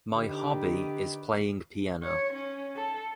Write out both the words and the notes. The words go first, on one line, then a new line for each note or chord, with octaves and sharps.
My hobby is playing piano.
D3 D#3 G4 B4
C#5
C#4
A4